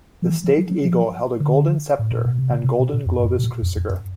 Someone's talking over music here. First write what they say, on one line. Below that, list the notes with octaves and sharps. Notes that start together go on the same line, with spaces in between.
The State Eagle held a golden scepter and golden globus cruciger.
F3
E3
F3
F#3
F#3
F3
D3
A2
A#2
B2
C3
C#3
C3
B2
A#2
F2
G2
F#2
B2
A#2
F2
F2
F#2